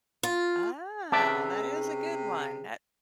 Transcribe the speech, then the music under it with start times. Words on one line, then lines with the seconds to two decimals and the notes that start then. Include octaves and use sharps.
Oh, that is a good one, that
0.23 F4
1.12 C3 C#4 G#4 B4 E5 A5 D6